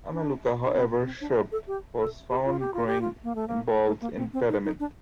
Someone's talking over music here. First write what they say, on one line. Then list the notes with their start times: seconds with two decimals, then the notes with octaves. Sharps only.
A "Melaleuca howeana" shrub was found growing on Ball's Pyramid.
0.12 D4
0.65 D4
0.74 C4
1.05 C4
1.21 D4
1.52 A4
1.67 G4
1.99 A4
2.30 G4
2.45 F4
2.59 G4
2.74 F4
2.87 G4
3.01 F4
3.24 A#3
3.35 A3
3.48 A#3
3.87 A3
4.01 A#3
4.17 C4
4.33 C4
4.49 D#4
4.65 D#4
4.80 D4